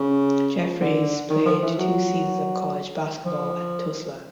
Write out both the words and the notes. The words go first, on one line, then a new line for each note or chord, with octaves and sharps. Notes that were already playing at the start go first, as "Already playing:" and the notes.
Jeffries played two seasons of college basketball at Tulsa.
Already playing: C#3
D3
D#3
F3
E3
F#3
F3